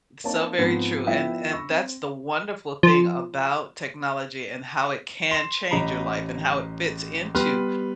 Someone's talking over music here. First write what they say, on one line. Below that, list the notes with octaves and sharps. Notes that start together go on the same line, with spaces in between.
So very true, an and that's the wonderful thing about technology and how it can change your life and how it fits into
A#3 C4 D#4 C#5 A5
G#2 F3 B3 C4
F3 B3 E4 E5 G5
B5 C#6 E6 A#6
C4
F3
C6 E7
A1 D#5 A#5 B5
G3 B3 B4 G5 C6 F6